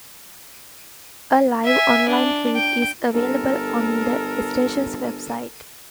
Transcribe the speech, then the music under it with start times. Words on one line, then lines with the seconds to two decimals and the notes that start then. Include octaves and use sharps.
A live online feed is available on the station's website.
1.65 E5 G#5
2.09 D4
2.55 G5
3.13 G1 A4 A#4